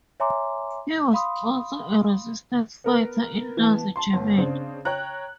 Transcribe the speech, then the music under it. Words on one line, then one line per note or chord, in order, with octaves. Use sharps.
He was also a resistance fighter in Nazi Germany.
C#5 E5 G#5 A#5 C6 D6
F5 B5 C6 D#6
B3 A#4 B4
E3 B3 A5
A5 C6
G1
C#3 C4 D4
C#5 G5 A#5 F#6